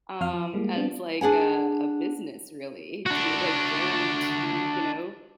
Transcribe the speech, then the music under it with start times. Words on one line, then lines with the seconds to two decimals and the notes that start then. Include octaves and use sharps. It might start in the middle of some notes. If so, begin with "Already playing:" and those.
Um, as, like, a, a business really to, like, guarantee, you know,
0.21 F2 F5 F6
0.34 F3
0.54 G3 G#3 A#3
0.76 G3 B3 C4 D4 F4
1.21 D4 G#4 F#5 G#5
3.06 D4 F#4